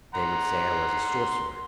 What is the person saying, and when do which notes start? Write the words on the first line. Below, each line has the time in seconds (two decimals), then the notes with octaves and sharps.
'They would say I was a sorcerer.
0.15 F#5 A#5 C6